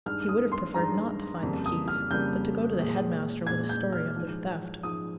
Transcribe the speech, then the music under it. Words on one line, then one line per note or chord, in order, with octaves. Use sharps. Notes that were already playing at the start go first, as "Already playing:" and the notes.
He would have preferred not to find the keys; but to go to the head-master with a story of their theft.
G2 D#3 G#3 F6
D#6
C6
G2 D#3 G#3 A#5
F2 C#3 G3 A#3
D#6
F6
F2 C#3 G3 A#3 G6
A#2 G#3
A#2 G#3 G#6
G6
F6
G#2 F3 G#3
G#2 F3 G#3 D#6